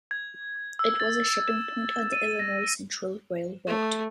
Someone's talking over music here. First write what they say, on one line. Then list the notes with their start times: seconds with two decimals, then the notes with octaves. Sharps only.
It was a shipping point on the Illinois Central Railroad.
0.11 G#6
0.79 E6
1.00 A6
1.48 E7
2.13 D#7
2.39 A#6
3.67 A3